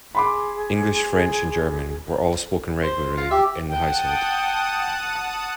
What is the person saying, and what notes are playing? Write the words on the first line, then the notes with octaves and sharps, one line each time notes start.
English, French and German were all spoken regularly in the household.
G#4 B5 C6 D6
C5
F4
G4 E5
F#5 G5 A5 D#6